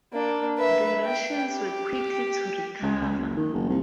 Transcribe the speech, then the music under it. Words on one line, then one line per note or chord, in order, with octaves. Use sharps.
The Russians were quick to recover.
A#3 D4
B4 E5
G5
G4
C#2
C#2
F#1
D#3
F#1
C2